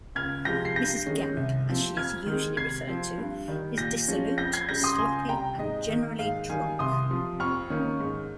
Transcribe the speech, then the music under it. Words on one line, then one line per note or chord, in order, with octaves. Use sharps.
Mrs. Gamp, as she is usually referred to, is dissolute, sloppy and generally drunk.
C#2 F6 G#6
C3 F3 G#3 G6 A#6
C7
G2 G6 A#6
D#3 G#3 C#4
C2
C3 F3 C4
F2 F6 G#6
D#3 G#3 C4
C3 G#6 C7
F3 C4
G2
D#3 G3
A#2 G6 A#6
F3 G#3 C#4
F2 G6 A#6
G#6 C7
C#3 G3 G6 A#6
C6 D#6
C#2 G#5 C6
C3 G3 G5 A#5
G#2 D#5
D#3 A#3
G#2 F5
D#3 G3 F5 G#5
C2 C6 D#6
C3 F3
F2 C#6 F6
D#3 A#3 C#4
G#2